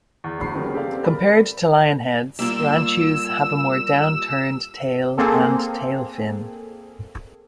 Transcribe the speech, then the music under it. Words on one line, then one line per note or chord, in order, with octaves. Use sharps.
Compared to lionheads, ranchus have a more downturned tail and tail fin.
E2
F#1 D2 F#4 B5 C7
F2 C#3 G3 A#3 B3
G4 A4 D5 F5
C4
A#4 D5 B5
G3 A#3 F4 E6
A#3 C4 G#4 A4